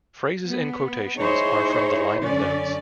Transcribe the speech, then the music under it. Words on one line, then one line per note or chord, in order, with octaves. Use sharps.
Phrases in quotations are from the liner notes.
B3
D#4 E4 G#4 C5 C#5
F#2 D3 C#4 D5